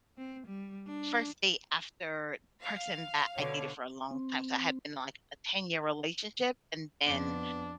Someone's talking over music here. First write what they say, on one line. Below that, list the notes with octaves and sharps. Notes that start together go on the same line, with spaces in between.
first date after person that I dated for a long time. So I had been, like, a ten-year relationship and then
C4
G3
D4
F5
B2 D3 C#5
C4
F2 B3 D4